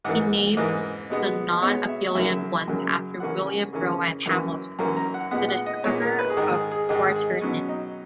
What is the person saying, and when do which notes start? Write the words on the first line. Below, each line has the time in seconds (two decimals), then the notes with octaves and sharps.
He named the non-abelian ones after William Rowan Hamilton, the discoverer of quaternions.
0.05 G#2 E3 A#3 F#5
0.57 G#2 E3 A#3 D#5
1.10 B2 G#3 B3
1.62 B2 G#3 B3 C#5
1.89 E5
2.15 F#2 C#3 F#3 A#3 E5
2.68 F#2 C#3 F#3 A#3
3.20 C#3 E3 A#3 C#4 F#5
3.47 G#5
3.73 C#3 E3 A#3 C#4
4.26 F#2 E3 A#3 C#4
4.79 F#2 E3 A#3 C#4 A#5
4.97 A#5
5.14 F#5
5.31 A#2 G#3 B3 F#5
5.49 F#5
5.66 D#5
5.84 A#2 G#3 B3 C#5
6.01 A#4
6.19 B4
6.30 G#4
6.36 G#2 D#3 G#3 A#4
6.54 G#4
6.72 G#4
6.89 G#2 D#3 G#3 G#4
7.16 G#4
7.42 B2 F#3 B3 C#4
7.68 D#4